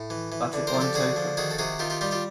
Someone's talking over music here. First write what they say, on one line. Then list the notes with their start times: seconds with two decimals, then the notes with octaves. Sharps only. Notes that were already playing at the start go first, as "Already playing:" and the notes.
But it won't open.
Already playing: A2
0.10 E3
0.32 E3
0.53 D3
0.67 A#4 C5
0.74 F3
0.81 G4 A4
0.94 D3 F#4 G#4
1.16 F3
1.37 D#3 F#4 G#4
1.51 A4
1.58 C3 F#4 G#4
1.79 D#3 F4 G4
1.90 F4 G4
2.01 G3 F4 G4
2.11 F4 G4